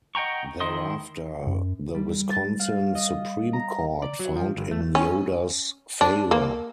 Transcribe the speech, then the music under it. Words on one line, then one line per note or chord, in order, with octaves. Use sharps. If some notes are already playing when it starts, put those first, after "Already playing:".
Thereafter the Wisconsin Supreme Court found in Yoder's favor.
D#5 F#5 G5 A#5 C#6
D#3 E4 D#5 C6 D#6
F#2
G3
A6
F5
D#5
A#5
D5
F#3
F3
G1
A3
C#4
D4
A#3